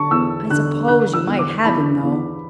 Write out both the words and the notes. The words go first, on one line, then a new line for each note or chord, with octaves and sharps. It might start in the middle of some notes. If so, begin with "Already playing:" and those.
I suppose you might have him, though.
Already playing: D3 A5 C#6
E2 E6
D3 F#6
D3 F#6
E6
E2
D6
E2 B5
E2